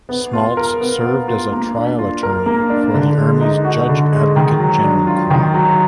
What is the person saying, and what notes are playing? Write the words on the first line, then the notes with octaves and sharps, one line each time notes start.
Smaltz served as a trial attorney for the Army's Judge Advocate General Corps.
B3
F4
A#4
B3
B3
F4
A#3
D4
F4
A#4
A#3
D4
D3
G#3
D#4
F#4
D3
G#3
D#3
F#3
D4
F4
D#3
F#3